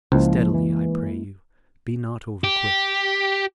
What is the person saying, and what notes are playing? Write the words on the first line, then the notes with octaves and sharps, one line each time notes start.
Steadily, I pray you; be not over-quick.
C#2 F3 G#3 A#3 E4
E3
G4